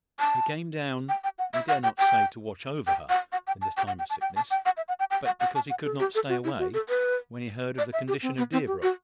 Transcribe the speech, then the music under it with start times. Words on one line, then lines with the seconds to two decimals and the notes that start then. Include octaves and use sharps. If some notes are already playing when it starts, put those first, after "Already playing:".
He came down--he dared not say to watch over her in this time of sickness--but because he could not stay away when he heard of the condition of Deerbrook.
0.20 A5
1.09 G5
1.24 G5
1.39 F#5
1.53 E5
1.69 F#5
1.83 G5
1.98 G5
2.87 G5
3.09 F#5
3.32 F#5
3.47 G5
3.62 A5
3.77 G5
3.87 F#5
3.99 G5
4.10 A5
4.21 G5
4.36 A5
4.51 G5
4.66 F#5
4.77 E5
4.88 F#5
4.99 G5
5.11 G5
5.26 F#5
5.40 F#5
5.55 A5
5.70 F#5
5.85 A4
6.00 G4
6.15 A4
6.29 F#4
6.44 E4
6.59 F#4
6.74 A4
6.89 B4
7.78 D5
7.93 E5
8.08 G4
8.22 C4
8.38 B3
8.52 C4
8.67 G4
8.82 F#4